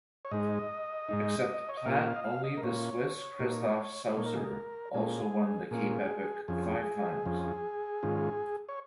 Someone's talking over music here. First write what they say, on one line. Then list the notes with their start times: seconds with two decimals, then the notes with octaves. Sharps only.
Except Platt only the Swiss Christoph Sauser also won the Cape Epic five times.
0.25 C#5
0.31 G#2 G#3 D#4 D#5
1.09 G#2 G#3 D#4
1.69 C#5
1.77 D#5
1.86 A#2 A#3 C#4 F4 F5
1.97 D#5
2.05 F5
2.16 D#5
2.24 F5
2.44 D#5
2.57 A#4
2.63 A#2 A#3 C#4 F4 C#5
3.40 A#2 A#3 D#4
4.17 A#2 A#3 D#4 C#5
4.26 A#4
4.35 G#4
4.44 A#4
4.94 A#2 A#3 C#4 F4 G#4
5.71 A#2 A#3 C#4 F4 G#4
6.48 F2 F3 C#4 G#4
7.26 F2 F3 C#4
8.03 G#2 D#3 C#4 F4
8.69 C#5